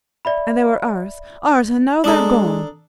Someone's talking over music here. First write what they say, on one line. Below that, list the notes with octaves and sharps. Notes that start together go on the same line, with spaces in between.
"And they were ours, ours! and now they are gone."
D5 E5 B5
G#3 D4 A4 A#5 D#6 E7